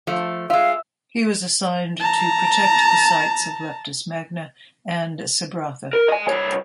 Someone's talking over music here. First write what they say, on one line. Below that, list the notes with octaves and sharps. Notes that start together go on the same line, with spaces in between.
He was assigned to protect the sites of Leptis Magna and Sabratha.
F3 A3
G#3 F4 E5 F5 E6
A5 A#5
A#4
D#5 G#5
C2 C#5